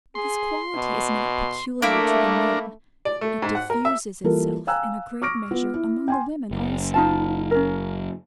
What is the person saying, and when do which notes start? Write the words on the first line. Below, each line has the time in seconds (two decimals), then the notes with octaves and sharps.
This quality is not peculiar to the men; it diffuses itself, in a great measure, among the women also.
0.15 G#4 C6
0.75 B2
1.82 A3 A#3 D4 E4 A#4
3.05 D5
3.21 A3
3.42 G#2
3.55 F#5
3.70 A#4
3.85 E5
4.24 E3 G3 A#3 F4 A4 A#4
4.67 F5 G5 G#5 A#5 E6 F#6
5.22 C#6 D6 F6 A#6 D7
5.51 B3 F4
5.74 E4
6.08 G5 G#5 C6
6.51 F#1
6.94 D#4 F4 A5
7.51 C#4 A#4